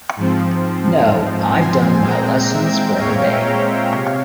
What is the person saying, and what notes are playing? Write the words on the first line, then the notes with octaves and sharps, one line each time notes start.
No, I've done my lessons for the day.
G#2 F3 C4
G#5 C6
A#2 G#3 C4 G5 A#5
E5 G5
C#5 F5
C#5 F5
C3